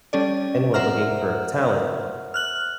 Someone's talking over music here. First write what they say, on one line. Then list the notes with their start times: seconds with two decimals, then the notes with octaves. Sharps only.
anyone looking for talent.
0.13 G3 C#4 A4 D5
0.74 A#4 C5 E5 F#5 A#5 F6
2.34 F6 F#6 F#7